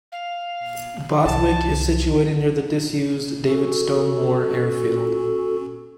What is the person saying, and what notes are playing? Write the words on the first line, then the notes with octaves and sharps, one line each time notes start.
Bowithick is situated near the disused Davidstow Moor airfield.
F5
C2 A5
C#4 F#4 A4